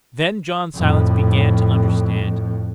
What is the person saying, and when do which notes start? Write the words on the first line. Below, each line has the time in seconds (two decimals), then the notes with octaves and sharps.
Then John Silence began to understand.
0.76 F2 A2